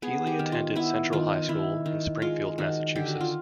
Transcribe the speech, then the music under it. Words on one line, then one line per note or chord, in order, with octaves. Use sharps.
Healey attended Central High School in Springfield, Massachusetts.
B3 G#4
G4
D#3
F4
B3 E4
D#3 F4
D#3 E4
D#3
G#3 F4
D#3 F#4
D3 G4
F#4
F4